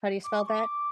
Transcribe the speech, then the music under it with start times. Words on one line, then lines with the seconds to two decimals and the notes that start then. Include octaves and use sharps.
How do you spell that?
0.24 D6
0.36 C#6
0.49 D6